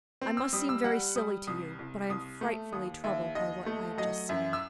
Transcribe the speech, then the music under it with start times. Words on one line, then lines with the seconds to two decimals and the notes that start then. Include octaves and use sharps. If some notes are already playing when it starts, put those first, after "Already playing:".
"I must seem very silly to you, but I am frightfully troubled by what I have just seen."
0.21 C4
0.37 E6
0.53 G3 D#6
0.69 E6
0.84 G3 F#5
1.16 G3 D#6
1.47 C2 D#6
1.79 C2
2.09 C2 D#6
2.41 A3
2.72 D#2 D#6
3.04 D#2 E5
3.35 D#2 D#5
3.66 A3
3.98 F#3 D#5
4.29 F#2 E5
4.53 E6